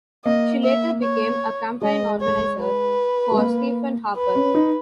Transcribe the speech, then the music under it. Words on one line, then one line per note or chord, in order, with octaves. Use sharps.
She later became a campaign organizer for Stephen Harper.
A#3 D#5
E5
C#5
G#3 D#5
C#5
B4
G#3
A#3
B4
C#4
D#4